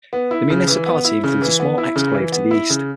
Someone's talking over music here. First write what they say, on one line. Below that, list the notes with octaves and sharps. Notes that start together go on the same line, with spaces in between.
The municipality includes a small exclave to the east.
B3
E4
C#3
E3
B3
E4
C#3
E3
B3
E4
C#3
E3
B3
E4
C#3